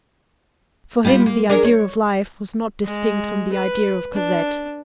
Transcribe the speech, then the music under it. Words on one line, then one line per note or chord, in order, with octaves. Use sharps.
For him, the idea of life was not distinct from the idea of Cosette.
G3 B3 F4
A#3
D4 G#4 A#4
C#5
G#3
B4
D4